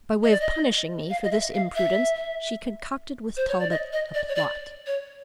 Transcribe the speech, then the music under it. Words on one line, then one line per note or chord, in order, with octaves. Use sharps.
By way of punishing me for this imprudence, she concocted with Talbot a plot.
D#5
D5
D#5
F5
D#5
E5
F5
E5
C5
C#5
D5
D#5
D#5
D5
C#5
D5
C#5